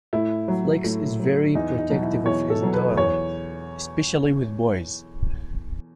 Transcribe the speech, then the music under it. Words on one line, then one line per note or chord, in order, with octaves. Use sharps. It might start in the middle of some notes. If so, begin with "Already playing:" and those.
Flex is very protective of his daughter, especially with boys.
A2 E4
F#3
A2
F#3
E2 D#4
D#4
B2 F#3
E4
E2 C#5
A4
B2 F#3
B4
E2 C#5